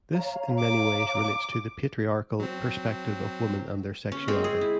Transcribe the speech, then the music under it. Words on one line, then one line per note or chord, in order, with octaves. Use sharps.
This, in many ways relates to the patriarchal perspective of women and their sexuality.
C#5 F5 A#5
D6
F#3 C4
C#4
G#3 C4
G#4
E4